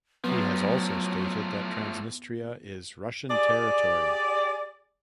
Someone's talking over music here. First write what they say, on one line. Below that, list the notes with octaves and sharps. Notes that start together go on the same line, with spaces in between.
He has also stated that Transnistria "is Russian territory".
A2 F3 F#3 B3
G4 G#4 D5